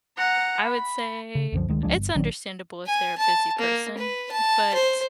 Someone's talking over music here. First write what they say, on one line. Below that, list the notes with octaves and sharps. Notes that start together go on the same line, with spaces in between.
I would say it's understandable if they're a busy person, but
F#5 A#5
B5
C#3
C2 F#2 D3 F3
D2 D#3 G#3
C#2 F3 G#3 D4
G1
A#1 D#3 F#3 D4
G#5
A5
A#3
B4
A5
C5